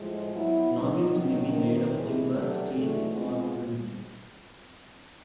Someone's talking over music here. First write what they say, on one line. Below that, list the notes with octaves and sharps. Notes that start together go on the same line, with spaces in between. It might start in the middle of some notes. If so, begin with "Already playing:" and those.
Noggings may be made of timber, steel, or aluminium.
Already playing: A2 F3 G#3
F#3 B3 E4
F#3 B3 D#4
G2 D#3 F#3
F2 C3 D#3
A2 E3 G#3
B2 F#3 A3 D4 G4
G#2 E3 A3 D4 F#4
B2 G#3 C4 F4 G#4